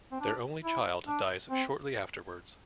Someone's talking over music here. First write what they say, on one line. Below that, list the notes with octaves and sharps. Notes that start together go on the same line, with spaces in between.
Their only child died shortly afterwards.
C4
D4
E4
D4
C4